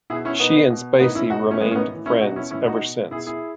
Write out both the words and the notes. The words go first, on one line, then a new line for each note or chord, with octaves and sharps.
She and Spacey remained friends ever since.
B2 E4 G#4
C#4 E4
B2 B3 D#4
B2
A2 E3 B3 D#4
C#4 E4
B2 D#4 F#4
D#4
A3 C#4
A2 E3 G#3 B3
C#4
B3 D#4
A2 E3
C#4 E4
B2 D#4 F#4
C#4 E4
A2 E3 C#4 E4
D#4 F#4
B2
B2 E4 G#4
E4 G#4